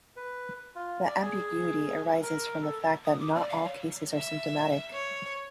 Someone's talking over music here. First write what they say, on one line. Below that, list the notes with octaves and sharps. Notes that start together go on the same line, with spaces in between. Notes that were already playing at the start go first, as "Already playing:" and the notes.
The ambiguity arises from the fact that not all cases are symptomatic.
B4
F4
D5
G#4
A#4
A4
D#6
D6
D5
F5
C#5
E5
C#5